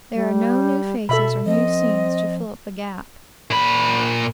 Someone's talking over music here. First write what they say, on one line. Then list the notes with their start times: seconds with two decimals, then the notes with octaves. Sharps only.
There are no new faces or new scenes to fill up the gap.
0.14 G3
1.09 B2 A4 E5 B5
1.46 F3 C4 D#5
3.51 A#2 B5